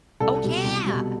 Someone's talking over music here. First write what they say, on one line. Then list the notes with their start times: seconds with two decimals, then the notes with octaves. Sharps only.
Oh, yeah.
0.20 C2 A4
0.43 B2 G3
0.64 C2
0.86 B2 G3